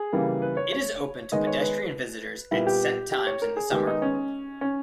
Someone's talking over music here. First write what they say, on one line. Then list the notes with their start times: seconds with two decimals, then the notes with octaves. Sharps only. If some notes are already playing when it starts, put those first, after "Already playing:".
It is open to pedestrian visitors at set times in the summer.
Already playing: G#4
0.12 C#3 E3 G3 A#3
0.42 B4
0.57 C#5
0.72 C#5
1.32 D#3 G#3 B3 D#5
1.47 C#5
1.61 B4
2.51 A#2 G3 B3 E4
2.67 G4
3.12 G4
3.27 C#5
3.42 A#4
3.57 G#4
3.71 D#3 G#3 B3 G4
3.87 D#4
4.02 C#4
4.61 C#4